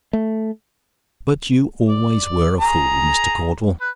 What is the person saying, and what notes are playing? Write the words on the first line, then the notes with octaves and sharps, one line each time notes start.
But you always were a fool, Mr. Caudle!
A3
D5
G#4 A#5
B4